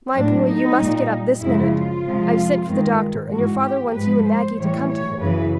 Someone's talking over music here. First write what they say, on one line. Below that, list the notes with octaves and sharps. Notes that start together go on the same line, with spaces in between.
"My boy, you must get up this minute; I've sent for the doctor, and your father wants you and Maggie to come to him."
A2 F#3 D4
D#4
A#2 G3
F#2 C#3 F3 G#3 E4
F4
F2 C3 F3 G#3
G2 D#3 G#3
G#2 E3 G#3 F#4
G4
G#2 F3 G#3 B4
C5
A2 E3 G3 C#5
C#5
F#2 C#3 E3 B4